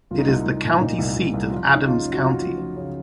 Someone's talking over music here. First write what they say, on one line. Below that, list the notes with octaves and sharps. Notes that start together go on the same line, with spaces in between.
It is the county seat of Adams County.
C2 F4
D#4
C2 F4
C2
A#2
A#2 D#4
C2
C2
C2
F3 F4
C#3
D#4
C#3 F4
C#3
F#4
F3 F4
F3
F3
C#3